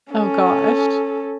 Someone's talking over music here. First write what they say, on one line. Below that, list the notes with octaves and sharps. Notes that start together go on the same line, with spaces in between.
Oh, gosh.
C#4 A4